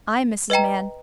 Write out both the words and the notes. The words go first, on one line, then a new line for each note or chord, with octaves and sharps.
'I, Mrs. Mann.
B4 D#5 G5 A#5